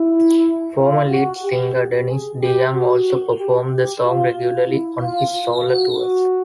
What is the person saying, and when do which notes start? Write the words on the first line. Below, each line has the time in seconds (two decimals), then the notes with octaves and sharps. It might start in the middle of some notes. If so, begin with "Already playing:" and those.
Former lead singer Dennis DeYoung also performs the song regularly on his solo tours.
Already playing: E4
0.78 F4
1.11 F#4
1.43 G4
2.09 G#4
2.41 G4
2.74 F#4
3.39 G4
3.72 G4
4.04 F4
4.69 E4
5.02 F4
5.33 F4
5.67 F#4
5.99 F#4